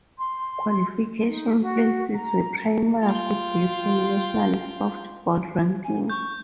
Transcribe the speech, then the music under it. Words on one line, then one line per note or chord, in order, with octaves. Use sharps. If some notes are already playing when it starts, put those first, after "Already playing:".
Qualification places were primarily based on national softball ranking.
C6
D#4
F#4
A#5
F4 G5
G#5
C#6 G6